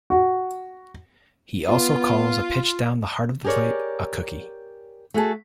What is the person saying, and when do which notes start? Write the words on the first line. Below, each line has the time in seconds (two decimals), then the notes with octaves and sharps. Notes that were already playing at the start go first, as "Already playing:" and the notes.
He also calls a pitch down the heart of the plate a "cookie".
0.10 F#4
1.68 B3 F4
3.44 G4 G#4 A#4 C#5 D5
5.14 A3 F#4 G#4 A5